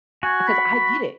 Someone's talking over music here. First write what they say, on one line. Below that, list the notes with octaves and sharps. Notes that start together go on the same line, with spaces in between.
'cause I get it.
F#4 G#5
B5